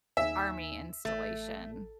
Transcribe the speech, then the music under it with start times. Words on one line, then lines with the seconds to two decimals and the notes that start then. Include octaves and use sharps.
Army installation.
0.17 D#2 D#4 E5 G#5
1.05 A1 A3